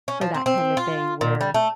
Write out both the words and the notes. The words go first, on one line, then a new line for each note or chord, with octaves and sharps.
for that kinda thing, where
C#4
F3
C4
C4
F4
A#2
G3
A3